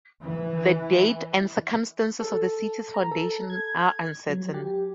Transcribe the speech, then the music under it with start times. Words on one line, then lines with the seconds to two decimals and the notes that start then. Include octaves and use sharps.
The date and circumstances of the city's foundation are uncertain.
0.21 E3
2.21 A4
2.94 A#5
3.11 A4
3.50 G#6
4.29 F#3
4.54 G4